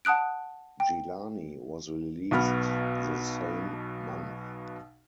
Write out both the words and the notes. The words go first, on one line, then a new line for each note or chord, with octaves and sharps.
Gilani was released the same month.
F#5 A5 D#6 F#6 D7
G5
B1 B2 B3 F#5 B5 F6